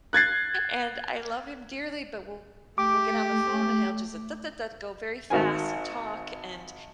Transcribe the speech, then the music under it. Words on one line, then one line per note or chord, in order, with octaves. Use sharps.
and I love him dearly, but we'll we'll get on the phone, and he'll, just, "Da, da, da" go very fast and talk and
F#6 G#6 A6 C7
A3 G4 D6
G#1 F#4 A#4 C5 G#5